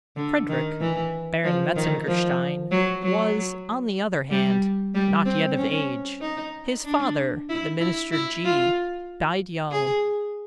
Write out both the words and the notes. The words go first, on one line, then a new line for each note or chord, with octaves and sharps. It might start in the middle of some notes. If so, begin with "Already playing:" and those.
Frederick, Baron Metzengerstein, was, on the other hand, not yet of age. His father, the Minister G--, died young.
D3
D#3
E3
F3
D#3
F3
F#3
F#3
G3
G3
C4
C#4
D#4
D4
E4
E4
E4
F4
G#4